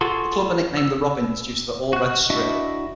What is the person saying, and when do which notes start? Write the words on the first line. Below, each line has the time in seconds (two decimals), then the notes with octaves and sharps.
The club are nicknamed "The Robins" due to their all-red strip.
0.01 F4 F#4 G#4 A4 C6
0.77 E6
1.93 F#4 F#6
2.30 D4 E4 F#4 D#5 E5